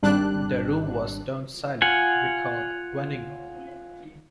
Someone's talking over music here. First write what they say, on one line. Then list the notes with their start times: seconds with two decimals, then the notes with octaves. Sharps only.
"The room was stone silent," recalled Veninger.
0.03 G#1 G3 D4 F#6
1.82 F4 F#5 G#5